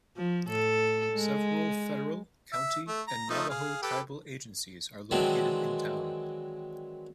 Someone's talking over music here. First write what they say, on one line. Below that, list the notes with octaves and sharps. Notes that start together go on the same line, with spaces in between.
Several Federal, County and Navajo tribal agencies are located in town.
F3
A2 A4
G#3
E5
A3
A#5
F3 A3 D#4
G#4 F5
G4 A4 B4
D#3 E3 F#3 G#3 C4 D4